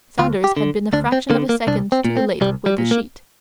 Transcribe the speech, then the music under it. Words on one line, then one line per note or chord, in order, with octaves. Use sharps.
Saunders had been a fraction of a second too late with the sheet.
D2 F4
G4
D3
D2 D4
C4
D3 A#3
A#3
C2 D4
C4
A#2
C4
C2 G3
G3
A#2
A#3